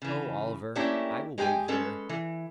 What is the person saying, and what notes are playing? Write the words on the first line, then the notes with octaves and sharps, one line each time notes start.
"Go, Oliver; I will wait here."
C#3 E3
A3 A#3 C#4 D4 E4 G4
G#3 G4 A#4 G5 G#5
G#3 C#4 A4 B4
E3